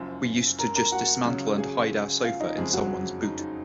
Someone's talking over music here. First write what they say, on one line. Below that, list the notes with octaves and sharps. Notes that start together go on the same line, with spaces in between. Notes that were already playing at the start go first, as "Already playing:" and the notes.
We used to just dismantle and hide our sofa in someone's boot.
Already playing: F#1 F#2 F3 G#5
A#4 A#5
A#4 A#5
F#4 F#5
C#2 C#3 F#3
G#4 G#5
F4 F5
D#4 D#5
F#1 F2 C#3 G#3 G#4
F#3 F#4
D#4
D#4